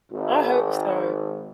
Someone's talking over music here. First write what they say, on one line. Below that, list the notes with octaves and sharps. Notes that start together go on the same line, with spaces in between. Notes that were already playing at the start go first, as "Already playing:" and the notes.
I hope so.
G#1